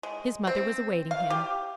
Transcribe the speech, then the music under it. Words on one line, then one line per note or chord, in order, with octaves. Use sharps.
His mother was awaiting him.
G#3
C4
F5
G4